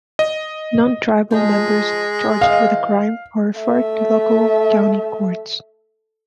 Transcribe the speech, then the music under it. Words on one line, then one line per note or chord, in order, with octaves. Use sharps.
Non tribal members charged with a crime are referred to local county courts.
D#5
F3 G#3 D#4 D#5
D#3 E3 D#5 F5
A3 E5